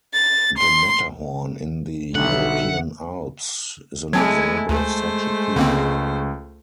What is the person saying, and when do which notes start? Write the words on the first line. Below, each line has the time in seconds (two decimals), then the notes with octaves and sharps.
The Matterhorn in the European Alps is an example of such a peak.
0.14 A6
0.58 C6
2.15 B1 D3 G3 E5 F#5
4.13 F#3 G#3 A3 C4 E4 G#5 A5 G#6
4.69 D2 G#3 A3 C5
5.56 C#2 D3 A#3 C4